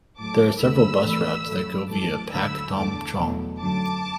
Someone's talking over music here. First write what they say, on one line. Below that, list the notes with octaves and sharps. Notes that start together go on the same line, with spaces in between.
There are several bus routes that go via Pak Tam Chung.
A2 F#3 A3 A5 D6
E2 D3 A3 B5 E6
A2 E3 A3
F#2 F#3 A3
F#2 E3 A3 A5 D6
D2 D3 F#3 A3 B5 E6
E2 D3 A3 A5 D6
E2 B2 F#3 A3
F#2 D3 F#3 A3 A5 D6